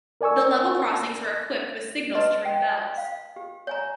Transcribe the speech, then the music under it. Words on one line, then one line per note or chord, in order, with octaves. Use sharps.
The level crossings were equipped with signals to ring bells.
A#4 D5 G#5 C#6 E6
B4 D#5 A5 C6
G5
F5
G4
C#5 G#5 A#5